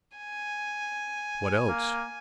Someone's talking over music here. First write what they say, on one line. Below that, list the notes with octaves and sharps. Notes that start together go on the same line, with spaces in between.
"What else?"
G#5
A#3